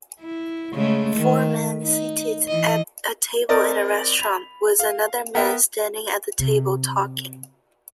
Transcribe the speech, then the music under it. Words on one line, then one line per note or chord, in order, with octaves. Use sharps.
Four men seated at a table in a restaurant with another man standing at the table talking.
E4
C#3 G#3 A3
D#3
D#4
E3 D#5
C4 A#4 D5 D#5
B5 F7
F5
B3 A#4 E5 G5
C3